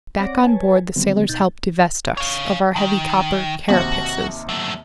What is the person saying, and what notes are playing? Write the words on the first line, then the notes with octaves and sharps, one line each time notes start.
Back on board, the sailors helped divest us of our heavy copper carapaces.
C4 C#5 D5 F#5 D6 A#6
B4 C#5 G#5 A5
D3 D#3 F#3 G3 B3 C4
B2 D#4 G6 A6
C#5 F5
D#3
D#2 C3 F#4 A5
F#3 A3